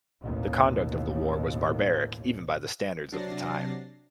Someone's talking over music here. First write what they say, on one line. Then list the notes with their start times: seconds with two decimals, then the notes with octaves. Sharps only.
The conduct of the war was barbaric even by the standards of the time.
0.21 A1 D#2 B2
3.12 C3 F#3 D4 A6 A#6 C7